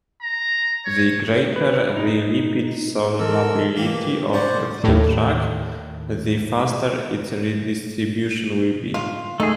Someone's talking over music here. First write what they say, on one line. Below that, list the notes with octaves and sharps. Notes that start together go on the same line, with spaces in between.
The greater the lipid solubility of the drug, the faster its redistribution will be.
A#5
C#5
B4
D#4
E2 A4 A#4 E6
A#2 E3 G3 A#3
C#4 C5 D5 F#5
D#2 A2
F4
A3 D#4 G#4